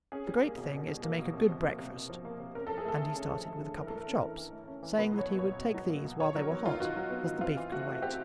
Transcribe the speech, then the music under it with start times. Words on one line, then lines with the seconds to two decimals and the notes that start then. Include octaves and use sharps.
"The great thing is to make a good breakfast," and he started with a couple of chops, saying that he would take these while they were hot, as the beef could wait.
0.12 C#4 G#4
0.27 G3
0.43 A#3
0.58 B2
0.73 C#4
0.88 G3
1.03 A#3
1.18 B2
1.34 C3
1.49 F3
1.64 A#3
1.79 C3
1.94 C3
2.10 F3
2.25 A#3
2.40 C3
2.55 C#4 A#4
2.67 F3 A4
2.78 G#4
2.85 A3 A4
3.01 D3
3.16 C#4
3.31 F3
3.46 A3
3.61 D3
3.77 E3 A#4
3.87 A3 A4
3.98 A#4
4.07 C#4
4.22 E3
4.37 E3
4.53 A3
4.68 C#4
4.83 E3
4.98 B2 B4
5.14 F#3
5.19 C#5
5.29 A#3
5.39 B2 C#5
5.59 B2
5.74 F#3
5.89 A#3
6.05 B2
6.20 D#3 C#5
6.35 F#3 A#4
6.50 B3
6.65 D#3 F4
6.80 D#3 F#4
6.96 F#3
7.11 B3
7.26 D#3
7.41 C4 F4
7.57 E3
7.72 A3 F#4
7.87 C3
8.02 C4 G4